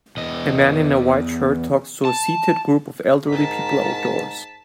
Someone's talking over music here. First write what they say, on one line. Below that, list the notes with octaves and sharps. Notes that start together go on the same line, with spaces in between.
A man in a white shirt talks to a seated group of elderly people outdoors.
E2 D#5
A5
G#2 A#4 A5 B6